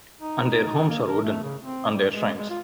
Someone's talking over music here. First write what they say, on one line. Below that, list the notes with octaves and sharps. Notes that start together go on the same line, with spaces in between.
And their homes are wooden and their shrines.
D#4
A#3
A#4
A3
C#3
C4
G3
G#3
G#3
F4